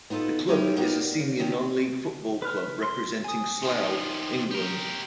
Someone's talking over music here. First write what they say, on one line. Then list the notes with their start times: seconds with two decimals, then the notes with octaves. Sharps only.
The club is a senior non-League football club representing Slough, England.
0.10 B3 D#4 F4 G4 A4
0.48 F#3 C#4 D#4 E4 G4 C#5
0.76 A#3 B3 D#4 G4 A#4 B4
0.99 D5
1.20 C#3
1.38 C3 D#3 C#4 F#4 G4
2.42 B4 F6
2.82 C6
3.24 G#5 D#6
3.63 D#3 F3
4.51 G4 A#4